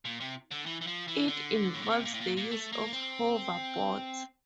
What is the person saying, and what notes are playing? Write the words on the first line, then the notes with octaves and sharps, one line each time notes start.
It involves the use of hoverboards.
A#2
C3
D3
E3
E3
F3
E3
D3
A2
A#2
C3
A#2
A2
A#2
A#2
A3
A#3
C4